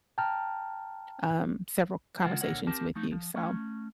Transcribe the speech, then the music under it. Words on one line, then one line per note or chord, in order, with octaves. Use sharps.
um, several conversations with you. So,
G5 A5 A#5 F6
C#3 G#3 F4 A4 F#5
A#2 D3 A#4 C#5 F#5
C4 G4 A#4 A5
F3 A3 D#4
F3
A3 C#4